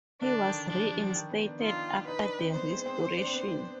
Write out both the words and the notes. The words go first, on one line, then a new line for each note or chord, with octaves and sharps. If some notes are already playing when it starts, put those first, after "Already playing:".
He was reinstated after the restoration.
D3 D4
D#3
F3 D4
G3
F3
D#3
B3
D4
D#4 F4
D4
D#4 B4
D4
C4
B3 C5
G#3
C4
C4
D4
C4
B3
C4